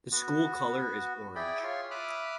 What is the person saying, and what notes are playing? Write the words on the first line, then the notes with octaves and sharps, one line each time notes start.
The school color is orange.
B3 F#4
E4 G#4 D5 G5 B5
F4 C#5 C6
E5 B5 D6 D#6 F6 F#6